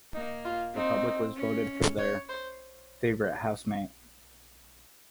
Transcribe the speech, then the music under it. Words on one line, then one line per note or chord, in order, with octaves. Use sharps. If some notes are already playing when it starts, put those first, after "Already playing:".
The public was voted for their favourite housemate.
A#3 D#4
F4
C4 D#4
C#4
C#5
C5